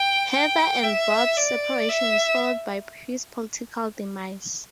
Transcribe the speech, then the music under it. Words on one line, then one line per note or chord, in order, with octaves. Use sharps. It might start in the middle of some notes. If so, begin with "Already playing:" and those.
Heather and Bob's separation is followed by his political demise.
Already playing: G5
G5
E5
D5
E5